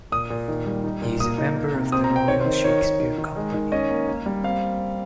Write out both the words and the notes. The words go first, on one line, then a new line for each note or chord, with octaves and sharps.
He is a member of the Royal Shakespeare Company.
A#2 D#6
A#2
D#3
G3
D#4
A#2
A#3 D#6
D#4
A#3
C3
C4 D#6
A#5
C4
G5
D#3 C#5
C5
D#3
D#3 C#5
D#3
D#3
D#3
G#3
D#3
C#4 D#5
A#3
A#3
G3
C4 F5